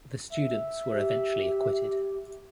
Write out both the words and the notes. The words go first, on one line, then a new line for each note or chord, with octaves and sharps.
The students were eventually acquitted.
E5
G4